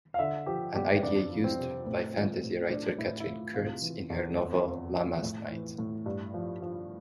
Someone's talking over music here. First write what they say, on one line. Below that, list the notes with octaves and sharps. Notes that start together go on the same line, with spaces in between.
An idea used by fantasy writer Katherine Kurtz' in her novel "Lammas Night".
F5
D3 E5
F3 G4
G2 G4
F2 D4
F3
C4
C3
A2 C4
F3
A2
A2 D4
A2 E4
E4
A2 F4
C3 F4
E3
E2
F2
F2
F3
A2
E3
A2
G2
F3
F3